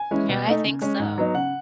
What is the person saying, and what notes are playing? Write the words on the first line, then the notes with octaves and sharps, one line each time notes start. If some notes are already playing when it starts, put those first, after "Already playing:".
Yeah, I think so.
Already playing: G#5
E3 G#3 C#4 E4
B2
A3 D#4
C#3
G#3 C#4
G#2
F#3 B3 D#4
C#3 F#5